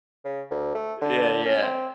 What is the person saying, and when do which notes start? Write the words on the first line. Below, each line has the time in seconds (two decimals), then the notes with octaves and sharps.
yeah, yeah,
0.25 C#3
0.51 D2
0.75 A3
1.01 D3
1.45 C#4
1.63 C4